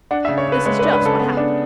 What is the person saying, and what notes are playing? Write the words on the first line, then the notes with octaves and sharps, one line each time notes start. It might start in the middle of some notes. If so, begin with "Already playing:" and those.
This is just what happened.
D4 F#5
E5
C#3
C#5
C#3 B4
G#3 C#5
B4
D4
B4
C#3 A4
B3
D4